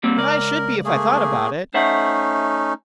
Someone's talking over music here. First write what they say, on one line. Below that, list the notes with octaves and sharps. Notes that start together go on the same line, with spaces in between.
"I should be if I thought about it."
G3 A#3 C4
C#2 A#4 D5
A3 A#3 G#4
A3 C#4 D#4 C5 E5 F#5